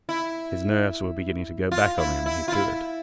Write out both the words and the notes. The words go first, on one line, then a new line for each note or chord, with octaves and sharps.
His nerves were beginning to go back on him he feared.
E4
F4
E4
E4
F4
E4